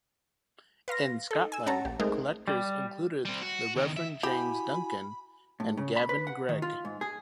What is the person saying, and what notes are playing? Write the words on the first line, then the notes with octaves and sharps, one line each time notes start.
In Scotland collectors included the Reverend James Duncan and Gavin Greig.
B4 F5 C6 A#6
D#4 A4
G#5 E6
C#4 C#5 F#5 A5 A#5
A#1 G4
G#3 A3 C4 D#4 G#4 A#4
G3
G3 C4
F#4
E2 D#3
E5
E4 F#4 G4 G#5 B5
A2
C#3
B5
B4
F#5
D#3
F4
G#2
G#4